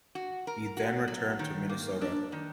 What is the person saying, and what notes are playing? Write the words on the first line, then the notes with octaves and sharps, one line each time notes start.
He then returned to Minnesota.
F#4
A#4
F#4
F#3
D#3
A#3
D4
D#3